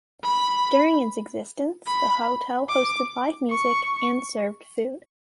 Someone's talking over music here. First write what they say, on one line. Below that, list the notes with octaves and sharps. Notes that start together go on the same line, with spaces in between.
During its existence, the hotel hosted live music and served food.
B5
B5
D6
C#6